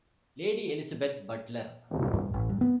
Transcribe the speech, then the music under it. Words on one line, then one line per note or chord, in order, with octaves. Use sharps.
Lady Elizabeth Butler.
G2
A1
G2
B3